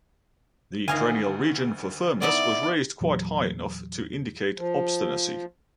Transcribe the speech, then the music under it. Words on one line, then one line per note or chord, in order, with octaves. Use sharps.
The cranial region for firmness was raised quite high enough to indicate obstinacy.
D2 D#3 D#5 F5 G#5
B3 D#4 E4 D5
E2 A#2 E3 F#3
F3